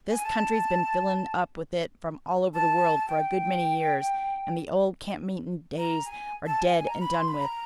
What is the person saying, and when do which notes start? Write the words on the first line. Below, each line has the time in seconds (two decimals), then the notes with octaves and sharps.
This country's been fillin' up with it from all over the world for a good many years, and the old camp-meetin' days are dead and done with.
0.10 G#5
0.23 A5
2.54 A5
3.08 G5
5.78 A#5
6.05 G#5
6.46 A5
6.60 G#5
6.73 G#5
6.87 A#5
7.00 B5
7.14 C6
7.28 B5
7.41 A#5